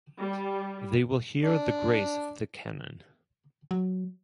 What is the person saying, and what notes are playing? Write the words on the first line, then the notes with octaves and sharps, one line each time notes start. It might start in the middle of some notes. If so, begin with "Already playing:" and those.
They will hear the grace of the cannon.
G3
D4
F#3